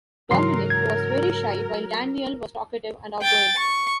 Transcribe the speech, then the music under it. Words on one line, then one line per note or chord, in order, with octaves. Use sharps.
Dominique was very shy while Danielle was talkative and outgoing.
G#2 C#3 E3 F#3 A#4 C6 C7
G#6
G5 A6
C#6